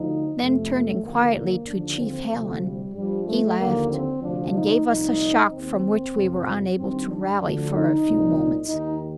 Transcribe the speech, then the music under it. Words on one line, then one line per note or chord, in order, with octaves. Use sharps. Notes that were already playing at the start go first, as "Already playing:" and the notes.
Then turning quietly to Chief Hallen, he laughed, and gave us a shock from which we were unable to rally for a few moments.
Already playing: D2 D3 F3 D#4
F2 C3 F3 A3
A3
D#2 D3 F3 A#3
D#2 D3 F3 D4
C4
D2 C3 F3 A3
G3
G2 F3 G3
A3
D#2 D3 F3 A#3
C4
D2 C3 F3 D4
D#4
C2 A#2 F3 D#4
D#2 D#3 C4
F2 C3 F3
G2 D#3 C4
D4
D2 D3 F3 D4
D#4
C2 A#2 F3
D#2 D#3 D#4